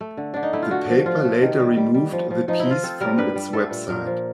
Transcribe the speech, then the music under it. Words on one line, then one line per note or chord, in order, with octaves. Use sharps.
The paper later removed the piece from its website.
A3
D3
D3 D4
D#4
A3 E4
F4
D3 F#4
F3
F3 F4
A3
D#3
G3
G3
G3
F3
F3
F3 D#4
E4
F3
F4
C4 A4
G3 A#4
G2 B4
G3
A3 A4
A#2
A#2 A#4
F3